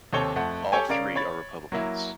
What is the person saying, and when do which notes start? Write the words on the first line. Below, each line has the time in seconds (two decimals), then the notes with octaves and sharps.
All three are Republicans.
0.13 D#2 C3 C4 A4 C#5 G7
0.36 F2 A3 F#5
0.72 G4 A4 C#5 G5 G#5
0.89 C#3 C#4 A#4 D5 F5 D7
1.16 C#5 B5 A6
1.72 F#3 A#3 E4